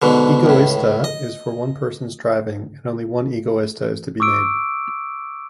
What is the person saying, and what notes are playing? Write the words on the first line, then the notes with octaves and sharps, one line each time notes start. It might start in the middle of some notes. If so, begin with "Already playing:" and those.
Egoista is for one person's driving and only one Egoista is to be made.
G#2 B2 D3
C#2 A2
D#5
C#6 D6 E6 D7